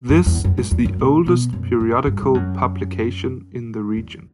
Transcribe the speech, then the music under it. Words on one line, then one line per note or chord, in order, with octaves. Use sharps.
This is the oldest periodical publication in the region.
F#2
E2
F#2
F#2
E2
F#2
A#2
B2
F#2
F#2
G2
G2
F#2
E2